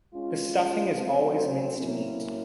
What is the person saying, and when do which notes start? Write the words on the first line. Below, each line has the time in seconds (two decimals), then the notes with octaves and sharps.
The stuffing is always minced meat.
0.14 G#3 C#4 F4
0.96 F#3 A3 C4
1.79 A2 F#3 A#3 C#4 E4